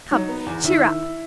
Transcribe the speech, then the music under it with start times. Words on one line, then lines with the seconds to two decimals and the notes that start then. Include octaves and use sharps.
Come, cheer up.
0.11 F#3 D#4
0.29 B3
0.46 E2
0.64 D#3 E4